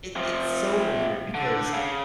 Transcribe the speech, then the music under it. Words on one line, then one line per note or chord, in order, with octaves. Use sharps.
It it's so weird because,
C3 F3
D3
C#3